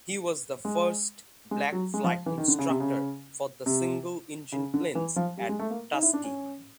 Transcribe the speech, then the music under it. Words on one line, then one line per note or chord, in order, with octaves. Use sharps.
He was the first black flight instructor for the single engine planes at Tuskegee.
G#3
G#3
F#3
G#3
F3
E3
D#3
D3
C#3
C3
C#3
C3
C#3
D3
E3
F3
G3
G#3
A3
A#3
D#4
E4
D4
C#4